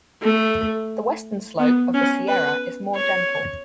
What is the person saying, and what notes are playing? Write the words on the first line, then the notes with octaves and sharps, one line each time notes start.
The western slope of the Sierra is more gentle.
A3
B3
C#4
B4
C#5